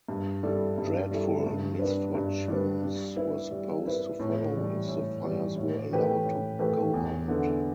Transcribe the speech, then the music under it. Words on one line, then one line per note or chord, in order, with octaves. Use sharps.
Dreadful misfortunes were supposed to follow if the fires were allowed to go out.
G2
G3 E4 A4
G2
G3 E4 A4
G2
G3 D4 B4
G2
G3 D4 B4
G3
E4 B4
G3
E4 B4
A2
E3 G3
A2
E3 G3
A2
E3 A3 G4 B4
A2
E3 A3 G4 B4
E2
D3 B3 E4 A4